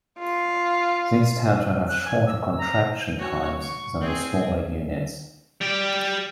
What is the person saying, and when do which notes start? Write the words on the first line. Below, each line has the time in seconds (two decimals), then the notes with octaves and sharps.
These tend to have shorter contraction times than the smaller units.
0.19 F4
1.89 F#6
2.05 G#5
2.26 E6
2.58 A#5
3.18 F#4 C#5
3.62 C#6
4.00 C4 G#4
5.61 G3 G4